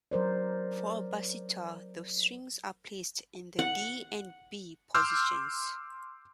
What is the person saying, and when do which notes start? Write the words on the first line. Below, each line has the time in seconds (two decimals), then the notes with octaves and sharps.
For a basitar, the strings are placed in the D and B positions.
0.11 F#3 A#4 C5 D5
3.59 F#5
4.94 C6 D6 E6 F6 G6